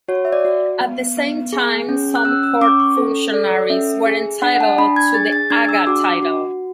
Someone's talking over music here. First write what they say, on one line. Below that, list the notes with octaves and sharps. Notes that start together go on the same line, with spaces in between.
At the same time some court functionaries were entitled to the "agha" title.
F#4 C#5
E5
D5
F#4
B3
B3
G#4
C#4
F#6
C#4 E6
E6
C#4 D6
C#6
A4
A4 D5
C#4 E5
G#4
D4 F#5
A5
D4 B5
G#6
G#4 A6
A6
D4 G#6
E6
F#4 D6
F#4